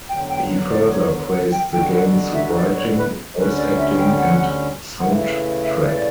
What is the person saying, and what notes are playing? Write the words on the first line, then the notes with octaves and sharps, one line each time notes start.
He further praised the game's writing, voice acting and soundtrack.
E2 D3 F#3 G5
G5
F#5
D5
C#5
F#5
G5
B2 G3 D4 F#4 A4 G5
F#5
E5
D5
C#5
B4
D2 D3 G3 C#4 B4
D5
E5
G5
F#5
C#3 E3 A3 E4 F#5
E5
E5
E5
D5